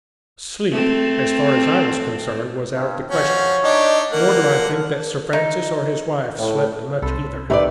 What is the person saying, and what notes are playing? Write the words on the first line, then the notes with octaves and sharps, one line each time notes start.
Sleep, as far as I was concerned, was out of the question, nor do I think that Sir Francis or his wife slept much either.
A3 C4
G2
F3 C#4 F#4 C#5
D4 D#4 G4 D#5
D3 A#3 A#4 F#5
D#4
A2
C2 A4 C5 B5
C3 D#3 A3 B4 C#5 D5